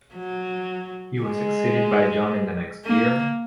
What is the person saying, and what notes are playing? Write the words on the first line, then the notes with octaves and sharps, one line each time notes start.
He was succeeded by John in the next year.
F#3
G#3
A#3